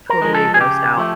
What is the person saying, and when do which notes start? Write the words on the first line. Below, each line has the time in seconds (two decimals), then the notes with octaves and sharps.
totally grossed out.
0.10 A#4
0.22 F3 G#3
0.35 A4
0.54 G#4
0.60 C#3 G4
0.97 F3 A3